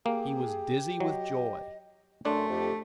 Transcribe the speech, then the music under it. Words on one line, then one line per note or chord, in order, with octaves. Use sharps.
He was dizzy with joy.
A#3 G4 G#4
F#3 D#5
F#2 A3 D4 C6
F2 G4